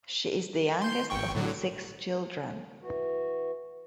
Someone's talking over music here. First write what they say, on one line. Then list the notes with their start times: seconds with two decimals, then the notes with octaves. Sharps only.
She is the youngest of six children.
0.82 C6 G6
1.10 G#1 G5 C#6
1.35 A2 D3 F#3
2.82 E3 F#4